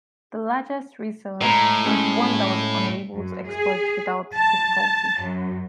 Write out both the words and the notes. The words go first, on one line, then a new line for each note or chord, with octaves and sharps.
The largest resource was one that was unable to exploit without difficulty.
A2 G#3 A#5
G#3 C#4 G#4
F#2
G#4
A5
F#2